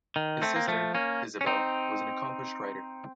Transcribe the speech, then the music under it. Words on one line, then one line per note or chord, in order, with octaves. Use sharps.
His sister, Isabel, was an accomplished writer.
D#3
A3 C4
A#3
F3 A3
A#3 C#4
C#4
C4 D#4